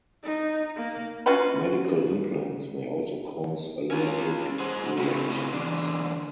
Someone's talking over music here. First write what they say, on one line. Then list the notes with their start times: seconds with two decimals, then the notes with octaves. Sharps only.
Medical implants may also cause allergic reactions.
0.23 D#4
0.77 A#3
1.26 C#4 F4 F#4 B4
3.91 C#4 F4
4.59 G#4 C5 F#5
4.97 A2 C#3 C4 E4 F#4
5.53 E2 G#2 D3